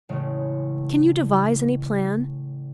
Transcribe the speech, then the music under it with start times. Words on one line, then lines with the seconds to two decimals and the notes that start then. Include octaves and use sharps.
Can you devise any plan?
0.09 A1 C#3 G#3